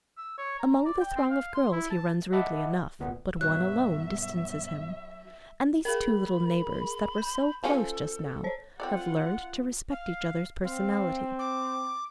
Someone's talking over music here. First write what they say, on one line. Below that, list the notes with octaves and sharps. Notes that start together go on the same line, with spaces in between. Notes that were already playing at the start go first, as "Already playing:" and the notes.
Among the throng of girls he runs rudely enough, but one alone distances him; and these two little neighbors, that were so close just now, have learned to respect each other's personality.
E6
C#5
A#5
D5
G5
C4
F5
C6
E4
A5
D#5 E5 F#5 A5 B5 D6
G1 D2 A#2 B3
G2 B2 F#3 B4 E5 F#6
G#4 A#4 B5
G6
F3 C#4 A4
C5 C#5
C4 F4 A4 D5 F#5
F5
C4 F5
D6